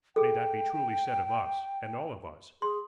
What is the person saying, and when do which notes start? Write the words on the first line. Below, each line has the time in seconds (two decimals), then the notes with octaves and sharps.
May that be truly said of us, and all of us!
0.16 G#4 A4 G5
2.62 G#4 C6